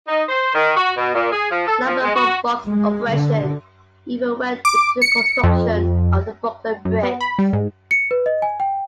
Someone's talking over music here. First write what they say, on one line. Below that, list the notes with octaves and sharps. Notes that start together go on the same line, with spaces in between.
Lumber from Buck's operation even went into the construction of the Brooklyn Bridge.
D#4
C5
D#3
F#4
B2
A#2
G#4
F3
A4
F3
G#3
F#4
G#3
D3
D6
C#7
F2
F#2
B3
B5
G3
G#2
C#7
B4
D#5
G#5
G5